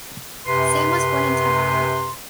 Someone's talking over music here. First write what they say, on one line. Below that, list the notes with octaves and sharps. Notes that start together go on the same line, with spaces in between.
Sam was born in Tehran.
F#2 C3 B4 C6